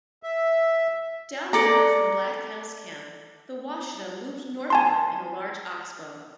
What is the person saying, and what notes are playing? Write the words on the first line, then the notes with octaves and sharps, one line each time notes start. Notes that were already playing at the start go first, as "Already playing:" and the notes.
Downriver from Black Kettle's camp the Washita looped northward in a large oxbow.
E5
A4 D5 A#5
G#5 A5 C6